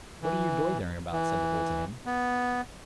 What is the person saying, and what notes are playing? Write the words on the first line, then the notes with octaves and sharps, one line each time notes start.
"What are you doitherin' about?" said the bull to him.
E3
E3
B3